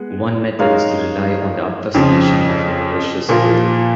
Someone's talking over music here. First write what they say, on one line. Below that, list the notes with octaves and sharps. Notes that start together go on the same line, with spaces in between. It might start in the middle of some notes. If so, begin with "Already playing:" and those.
One method is to rely on the obfuscation of the malicious code.
Already playing: G#3 B3
G#3 D#4 A#4 C#5 F5
F2 C#3 F3
A#2 F3 A#3 F4